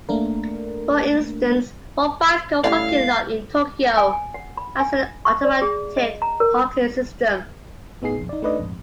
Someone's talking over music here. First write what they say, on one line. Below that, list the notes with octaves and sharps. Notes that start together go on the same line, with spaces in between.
For instance, one bicycle parking lot in Tokyo has an automated parking system.
A3 A#3 D4 A#4
A2 G3 C#4 D5 F5
G#5
G#5
F#5
B5
G#5
C#6
D5
G#4
D#5
A#5
A#4
A2 B3 D#4 G#4 C7
B1 F2
D#4 D5
A3 D4 D#4 B4 D5 D#5
A#1 F2 G#2